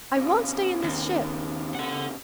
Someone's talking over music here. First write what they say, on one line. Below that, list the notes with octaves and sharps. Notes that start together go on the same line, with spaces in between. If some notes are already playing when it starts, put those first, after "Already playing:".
I won't stay in this ship!
A#2 C#3
D#2
A4 F#5